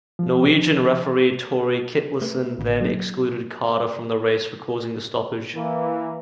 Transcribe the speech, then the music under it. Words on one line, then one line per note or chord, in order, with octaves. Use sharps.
Norwegian referee Torrie Kittlesen then excluded Carter from the race for causing the stoppage.
F3
A3 A#4 B4 E5
G#1 A2 D3
F#3 A#3 D#4
E3 A#3